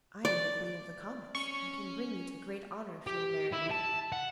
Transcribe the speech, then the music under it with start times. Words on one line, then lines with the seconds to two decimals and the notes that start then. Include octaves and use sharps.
I am the Queen of the Comets, and can bring you to great honour if you will marry me.'
0.25 D5
1.35 C#4 C#6
3.07 G4
3.52 E4
3.71 A5
4.12 F#5